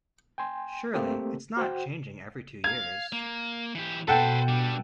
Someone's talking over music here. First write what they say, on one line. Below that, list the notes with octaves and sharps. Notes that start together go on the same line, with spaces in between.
Surely, it's not changing every two years.
G5 G#5 C6
A3 A#3 C4 G4 A4
F#4 C5 F#5 G5
F5 G#6
A#3
E3 G4
B2 A4 B4 C5 F#5 G5
G3 D4